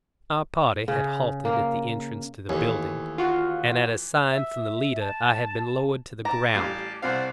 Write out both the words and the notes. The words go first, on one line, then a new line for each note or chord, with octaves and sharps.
Our party had halted at the entrance to the building, and at a sign from the leader I had been lowered to the ground.
C#3
A#3
D#2 E3 A3
F4 F#4
E5
A5
A5 A#5 D6
A1 G3 F5
C2 C3 C5 D5 F5 F#5